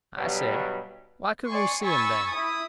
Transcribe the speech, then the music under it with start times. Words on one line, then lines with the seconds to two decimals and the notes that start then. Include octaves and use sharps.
I said, why couldn't we see them, then?
0.17 G2 B2 F#3 G3
1.47 D5 G#5 C6 C#6
1.83 G#5 B5 C#6 E6 A6
2.30 E4 D#6